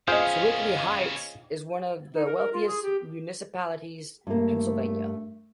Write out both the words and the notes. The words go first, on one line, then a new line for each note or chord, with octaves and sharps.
Sewickley Heights is one of the wealthiest municipalities in Pennsylvania.
B3 C#4 F4 G#4 C5 D#5 F5 G5
D#4
A#4
A#4
F4
G#4
G4
G2 A3 A#3